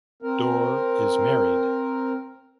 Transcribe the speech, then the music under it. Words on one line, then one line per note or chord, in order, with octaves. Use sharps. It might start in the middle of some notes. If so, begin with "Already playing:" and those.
Dorr is married.
C4 A#4